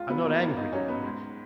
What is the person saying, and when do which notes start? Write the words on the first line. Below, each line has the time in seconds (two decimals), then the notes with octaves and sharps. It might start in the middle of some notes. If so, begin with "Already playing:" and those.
I am not angry now.
Already playing: C#2 F4
0.09 B2 F#3 B3
0.25 A#3
0.41 C#2 B3
0.57 D#4
0.72 B2 F#3 C#4
0.88 B3
1.04 G#2